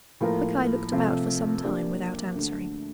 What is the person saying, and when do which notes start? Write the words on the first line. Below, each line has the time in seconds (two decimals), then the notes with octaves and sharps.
Quickeye looked about for some time without answering.
0.21 A2 F3 A#3 F4 A#4
0.92 C3 F3 A3 C4 F4
1.63 F3 A#3 D4 G4 D5
2.35 D2 D3 A3